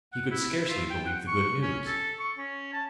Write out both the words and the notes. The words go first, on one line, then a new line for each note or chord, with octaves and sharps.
He could scarcely believe the good news.
F#5
E4
F4
G5
F#5
C#6
C#4
A4
C#6
C#4
A5